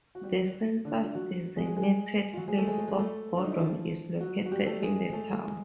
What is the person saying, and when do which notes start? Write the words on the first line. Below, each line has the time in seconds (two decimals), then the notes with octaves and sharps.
The census-designated place of Gordon is located in the town.
0.15 F#4
0.23 G3 G4
0.85 D3 D4
1.03 F4
1.15 F#3 F#4
1.56 G#3 G#4
1.66 G#3 G#4
1.77 G#3 G#4
2.33 F4
2.37 F#3 F#4
2.48 G#3 G#4
2.58 A3 A4
2.67 G#3 G#4
2.78 A3 A4
2.88 G#3 G#4
2.99 A3 A4
3.37 D4
3.45 D#4
3.52 E4
3.60 F3 F4
4.20 F#3 F#4
4.46 F#4
4.52 G3 G4
4.66 A3 A4
4.82 G#3 G#4
5.13 A3 A4
5.32 A3 A4
5.43 G#3 G#4